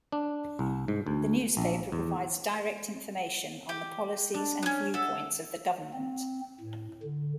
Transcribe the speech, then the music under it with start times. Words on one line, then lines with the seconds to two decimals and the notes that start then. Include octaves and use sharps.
The newspaper provides direct information on the policies and viewpoints of the government.
0.12 D4
0.59 C2
0.88 G#2
1.07 D2
1.57 A#1
1.92 E2
3.69 G4
4.34 D4
4.63 B3 C#4
4.94 A4 E5 F#5
5.93 C4
6.60 A2
7.03 D3